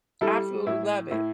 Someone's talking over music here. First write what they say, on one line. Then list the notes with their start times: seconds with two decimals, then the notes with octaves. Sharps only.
Absolutely love it,
0.21 G3 E4 A4
0.66 A2 E4
1.11 A2 E4